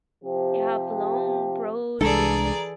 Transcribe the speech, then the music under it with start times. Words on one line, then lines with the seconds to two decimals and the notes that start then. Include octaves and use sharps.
They have long, broad wings.
0.24 C3 F3 G4
2.01 C2 E3 G#3 D4 G#4 A4 D5 A#5